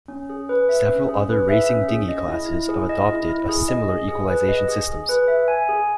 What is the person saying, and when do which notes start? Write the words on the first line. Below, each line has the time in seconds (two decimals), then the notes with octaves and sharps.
Several other racing dinghy classes have adopted a similar equalisation systems.
0.08 C#4
0.30 G#4
0.49 B4
0.69 E5
0.89 C#4
1.09 G#4
1.29 B4
1.49 E5
1.69 C#4
1.88 G#4
2.09 D#5
2.28 E4
2.49 E4
2.69 G#4
2.89 D#5
3.09 E4
3.29 E4
3.49 G#4
3.68 D#5
3.89 G#4
4.08 G#4
4.28 B4
4.49 D#5
4.68 G#4
4.89 G#4
5.09 B4
5.28 E5
5.48 G#5
5.69 G#4